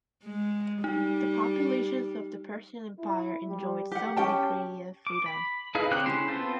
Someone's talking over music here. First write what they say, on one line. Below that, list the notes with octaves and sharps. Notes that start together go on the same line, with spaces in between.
The populations of the Persian Empire enjoyed some degree of freedom.
G#3
G3 D#4
E4
G3
G4 F#5
C#4 G4 G5 A5
D6
B5
D#4 E4 G#4 B4 F5
D3 C4 G4 C#5 F#6
C#3 C#4 E4 C6
B3 C4 F4 A4 C5